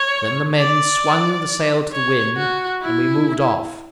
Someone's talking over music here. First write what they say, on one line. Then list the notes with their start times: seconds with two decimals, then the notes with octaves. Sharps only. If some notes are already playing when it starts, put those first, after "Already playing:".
Then the men swung the sail to the wind, and we moved off.
Already playing: C#5
0.58 D5
1.92 C#5
2.37 F#4
2.82 E4